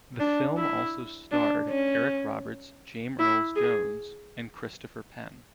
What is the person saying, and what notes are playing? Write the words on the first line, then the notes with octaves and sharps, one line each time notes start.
The film also starred Eric Roberts, James Earl Jones and Christopher Penn.
D4
E4
D4
C#4
E4
G#4